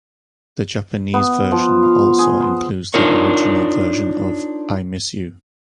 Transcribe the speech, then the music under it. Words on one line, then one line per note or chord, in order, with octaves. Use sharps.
The Japanese version also includes the original version of "I Miss You".
B3
F3
F5
G#4
C5
D4 D#4 F4 A#4 C#5